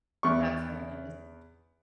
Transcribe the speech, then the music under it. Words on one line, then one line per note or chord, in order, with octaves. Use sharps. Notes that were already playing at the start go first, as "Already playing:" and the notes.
That's very nice,
E2 C#6